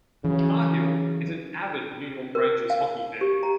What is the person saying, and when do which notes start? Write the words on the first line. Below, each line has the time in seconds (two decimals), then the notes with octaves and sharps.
Cahill is an avid New York Rangers hockey fan.
0.24 C#3 E3 F#3
2.35 A#4
2.70 F5
3.21 G4
3.43 A#5